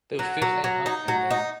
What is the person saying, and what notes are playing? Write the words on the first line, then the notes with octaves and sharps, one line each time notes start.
they would fish and hunt and then
F#3
F#3
F#3
D#4
F#3
D#4